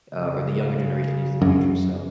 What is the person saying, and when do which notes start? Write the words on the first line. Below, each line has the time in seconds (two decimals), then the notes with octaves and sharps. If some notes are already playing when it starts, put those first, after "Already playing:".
uh, or the younger generation is the future, so
0.11 C#3
1.42 F#2